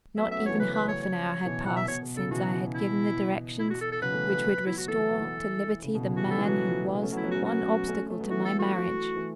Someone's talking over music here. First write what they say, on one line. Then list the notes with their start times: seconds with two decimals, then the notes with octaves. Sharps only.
Not even half an hour had passed since I had given the directions which would restore to liberty the man who was the one obstacle to my marriage.
0.17 F#3 B3 E5
0.28 A3 C#4 E5
0.38 F#3 B3
0.46 E3 A3 C#5
0.59 C#3 F#3 B4
0.74 B4
0.88 C#5
1.03 C#5
1.45 B2 E3
1.66 B2 E3 F#5
1.77 E5
1.88 B2 C#5
2.03 B2
2.16 C#3 A4
2.31 B2 E3 F#4
2.74 E4
3.59 E4
3.70 F#4
3.81 A4
3.92 A4
4.02 C#3 F#3 B4
4.13 E3 A3
4.34 F#3 B3
4.67 F#3 B3 E4
4.77 F#4
4.87 E3 A3 A4
4.99 E3 A3
5.10 F#3 B3
5.20 E3 A3
5.84 C#3
5.95 B2
6.06 C#3
6.16 B2 E3 F#4
6.27 C#3 F#3 A4
6.38 E3 A3
6.45 F#3 B3 F#4
7.02 A3 C#4
7.12 F#3 B3
7.17 E4
7.24 F#3 B3
7.31 A3 C#4 F#4
7.45 F#4
7.88 A3 C#4
7.98 A3 C#4
8.09 A3 C#4
8.19 F#3 B3
8.30 E3 A3 F#4
8.45 A4
8.59 F#4
9.16 E3 A3